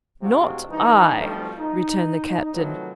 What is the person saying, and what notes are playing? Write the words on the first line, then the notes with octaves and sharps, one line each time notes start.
"Not I," returned the captain.
A2 C3 G#3 D4 F4 F#4
G2 E3 D4 D#4
B1 F2 F3 G3 A3
D#4
C3 D#3 F3 F#3 A3 B3